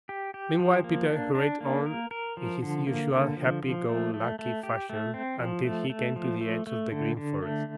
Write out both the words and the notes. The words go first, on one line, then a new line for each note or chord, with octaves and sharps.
Meanwhile Peter hurried on in his usual happy-go-lucky fashion until he came to the edge of the Green Forest.
G4
G4
F3
A#3
D4
D4
A#3
A#4
A#4
F3
D3
A#3
D3
F3
F3
A3
A3
A3
G4
A3
C4
F3
A3
A3
F3
A3
A3
D3
D3
A3